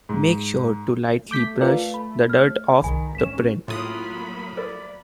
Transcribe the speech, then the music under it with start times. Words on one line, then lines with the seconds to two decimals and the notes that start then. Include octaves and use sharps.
Make sure to lightly brush the dirt off of the print.
0.09 G#2
1.31 A3 D6 G6 B6
1.61 F4 A#4 B4 D5 E5 F5
1.94 B5
2.30 F6
2.82 G1 C2 D#3 G#5 B5
3.15 G#1 C#4 B6 E7
3.68 A2 F#3 A#3 F4 B5 D#6
4.57 A4 A#4 D5